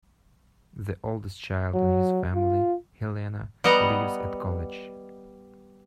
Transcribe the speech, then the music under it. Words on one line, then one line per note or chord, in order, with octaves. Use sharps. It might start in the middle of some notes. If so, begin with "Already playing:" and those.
The oldest child in his family, Helena, lives at college.
F#3
F4
G3 B3 D#5 F#5 A#5